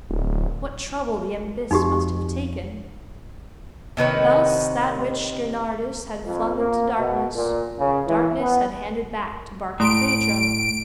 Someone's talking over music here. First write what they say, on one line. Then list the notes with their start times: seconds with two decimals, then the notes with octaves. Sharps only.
What trouble the abyss must have taken! Thus that which Gernardus had flung into darkness, darkness had handed back to Barkilphedro.
0.10 D1
1.71 F2 D#4 F#4 G4
3.97 C3 D#3 B4 C#5
6.24 F2
6.56 A#3
6.96 B2
7.34 A#2
7.77 C#3
8.06 E3
8.38 B3
9.80 A2 A3 C6 D7